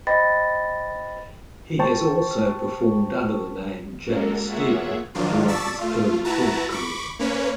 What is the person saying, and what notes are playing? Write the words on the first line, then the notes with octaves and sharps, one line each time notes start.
He has also performed under the name J. Steele during his early film career.
C5 D#5 G5 B5 A6 A#6
C5 G5 A5 C#6
G#3 A#3 C#4 F#4 A4 A#4
A#3 F4 G#4 C#5 E5 F#5
D#3 F3 F#3 D4 F4
D5 A5 C#6 E6 A6 B6
A3 F4
E4 F#4 B4 A5 A#5
B5 C#6 D6
A#3 C#4 B4 C#5